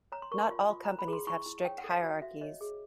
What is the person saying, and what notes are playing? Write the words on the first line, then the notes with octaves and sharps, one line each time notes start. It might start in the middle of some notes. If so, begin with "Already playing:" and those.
Not all companies have strict hierarchies.
C#5 A#5
C6
A#4 C#6
C6
F4
F4
C5 A#5
B5
G#4
C6
E4 C#6
E4
C#5 G5
F#5
A4
F5
F#4
F#4 E5
C#5 D#5
G#4